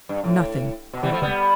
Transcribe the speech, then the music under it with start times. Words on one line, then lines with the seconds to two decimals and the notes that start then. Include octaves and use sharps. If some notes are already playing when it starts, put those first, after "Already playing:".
"Nothing, Carton."
0.09 G2
0.24 A2
0.93 B2
1.03 E3 G3
1.12 F3 A3
1.22 G3 B3